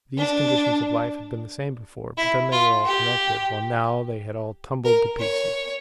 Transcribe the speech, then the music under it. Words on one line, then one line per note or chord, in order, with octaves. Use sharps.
These conditions of life had been the same before, but then they were all connected, while now they had all tumbled to pieces.
D4
E4
F4
G4
A#4
C#5